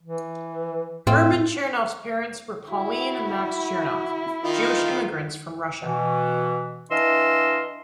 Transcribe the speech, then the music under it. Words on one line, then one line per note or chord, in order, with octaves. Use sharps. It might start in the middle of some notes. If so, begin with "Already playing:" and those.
Herman Chernoff's parents were Pauline and Max Chernoff, Jewish immigrants from Russia.
E3
A2 C4 F4
E4 F#4
D#3 D#4 F4
B2 E3
E3 D4 D#5 F5 C6 E6